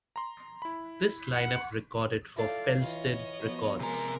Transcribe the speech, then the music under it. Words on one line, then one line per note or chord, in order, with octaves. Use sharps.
This lineup recorded for Felsted Records.
A#5 C6
E4 B5
F#5
E4 F4 A4 D5 F5
E3 F4 C#5 D#5
F3 F#3 B3
C3 G#3 A#4 A#5